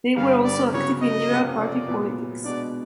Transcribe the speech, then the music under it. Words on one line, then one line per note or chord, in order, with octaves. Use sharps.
They were also active in Liberal party politics.
G2 D3 G3 F5
D5
C#3 F#3 B3 C#5
D#5
F2 C3 F3 A#3 C#4
D5
A#2 F#3 B3
B2 G#3 B3 D4 D5